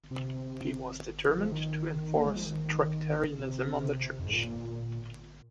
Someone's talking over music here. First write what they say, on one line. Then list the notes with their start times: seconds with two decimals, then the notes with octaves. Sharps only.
He was determined to enforce Tractarianism on the Church.
0.11 C3
1.29 F3
1.52 D#3
2.16 A#3
2.25 G#3
2.36 F3
2.46 D#3
3.40 C3
4.19 F2
4.26 G#2
4.33 A#2